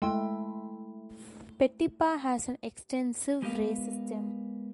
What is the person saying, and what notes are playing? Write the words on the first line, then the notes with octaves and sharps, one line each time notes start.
Petipa has an extensive ray system.
G#3 A3 E4 G5 C6
G#3 B3 G4 A#4 B4 F5